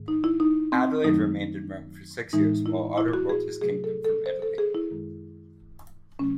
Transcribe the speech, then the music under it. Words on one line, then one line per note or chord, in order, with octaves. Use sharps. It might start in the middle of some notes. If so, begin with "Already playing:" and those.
Adelaide remained in Rome for six years while Otto ruled his kingdom from Italy.
Already playing: G#2 D#3 A3
D#4
E4
D#4
C4
F#2 D#3 F#3 A3 D#4
A2 E3 G#3 D#4
E4
E4
F#4
G#4
C3 F#3 A3 G#4
A4
A4
C5
A4
G#4
E4
F#2 D#3 G#3
C3 F#3 A3 C#4